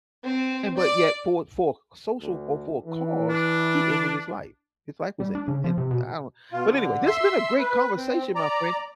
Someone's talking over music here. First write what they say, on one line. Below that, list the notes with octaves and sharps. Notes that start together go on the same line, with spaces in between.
and but yet for for social, or for a cause, he ended his life, his life was ended, and I don't But anyway, this has been a great conversation, my friend.
C4
D5
D2
E3
D4
G3
D4
C#3
F3
C3
B2
B2 F4
D3
E5 C6 E6
B4
C4
D5 A#5